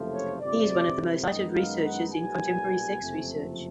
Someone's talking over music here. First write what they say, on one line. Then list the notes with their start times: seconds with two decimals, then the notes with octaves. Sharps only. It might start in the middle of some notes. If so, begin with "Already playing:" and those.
He is one of the most cited researchers in contemporary sex research.
Already playing: F#1 F2 C3 F3 A3
0.13 C#5
0.41 G1 F2 C3 D5
1.26 F#2 D#3 G#3 B3 D#4 D#5
1.55 F5
1.84 F#5
2.13 B1 A#2 G3 B3 G#5
2.98 F#1 F2 C3 F3 A3